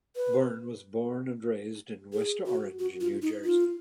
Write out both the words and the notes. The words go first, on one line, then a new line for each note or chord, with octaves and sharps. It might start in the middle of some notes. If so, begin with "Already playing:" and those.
Byrne was born and raised in West Orange, New Jersey.
B4
G#4
F#4
F#4
F4
D#4
F4